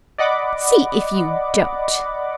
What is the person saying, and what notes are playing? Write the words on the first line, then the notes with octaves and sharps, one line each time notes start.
See if you don't.'
D5 D#5 F#5 B5 D6